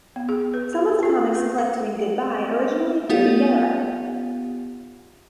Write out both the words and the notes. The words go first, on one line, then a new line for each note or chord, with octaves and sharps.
Some of the comics collected in "Good-Bye" originally appeared in "Garo".
B3
G#4
B4
A#4
F4
B4
F5
B3 D#4 F4 G4 F5 F#5